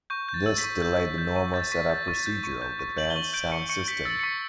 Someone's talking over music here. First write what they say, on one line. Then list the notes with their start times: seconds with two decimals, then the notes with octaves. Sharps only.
This delayed the normal setup procedure of the band's sound system.
0.10 C#6 G6
0.29 G6
0.34 A6
0.46 E6
0.58 B6
0.64 C#6
0.82 G6
1.00 C#6
1.18 G6
1.36 C#6
1.54 G6 A6
1.72 C#6 B6
1.89 G6 A6
2.08 C#6 A6
2.26 G6
2.44 C#6
2.62 G6
2.79 C#6
2.97 G6 F#7
3.10 G7
3.16 C#6 F#7
3.33 G6 D7
3.52 C#6 C#7
3.69 C#6 C#7
3.88 G6 B6
4.05 E6 A6
4.19 C#7
4.23 C#6 B6